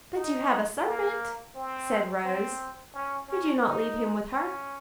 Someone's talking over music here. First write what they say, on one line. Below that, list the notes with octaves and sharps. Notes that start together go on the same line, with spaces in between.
'But you have a servant,' said Rose; 'could you not leave him with her?'
D#4
A#3
C4
C4
C#4
C#4
D#4
C#4